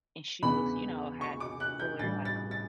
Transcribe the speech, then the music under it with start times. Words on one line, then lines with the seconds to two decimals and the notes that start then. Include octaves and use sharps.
and she was, you know, had fuller like
0.42 E2 C#3 E3 B3 D4 B5
1.21 C#6
1.40 D6
1.60 F#6
1.80 G6
1.99 A1 G2 E3 G3 A6
2.25 A6
2.51 A6